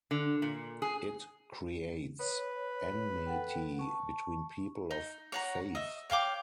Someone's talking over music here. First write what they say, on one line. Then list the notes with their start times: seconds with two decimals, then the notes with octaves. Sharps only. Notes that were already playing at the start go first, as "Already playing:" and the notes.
It creates enmity between people of faith.
0.11 D3
0.42 A#2
0.82 G#4
2.20 B4 C#5
3.26 A4 F#5 G5
3.79 A5 C#6
4.91 D#4
5.32 C#5 F#5 A#5
5.75 D#5 E5
6.10 C#5 F5 G5 D6